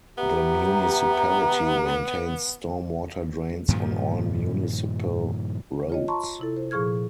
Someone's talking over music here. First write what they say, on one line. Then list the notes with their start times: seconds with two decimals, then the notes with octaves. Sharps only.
The municipality maintains stormwater drains on all municipal roads.
0.18 B3 G4 E5 A#5
3.68 G2 A#2 D#3 F3
5.90 F4 C#5 D#5
6.08 A5 A#5 C6 C#6
6.40 C3 E4 A4
6.57 C5
6.71 A#2 F3 G#4 C#6 F6 G#6